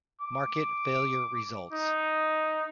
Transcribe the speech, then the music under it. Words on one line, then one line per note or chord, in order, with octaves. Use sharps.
Market failure results.
D6
D#4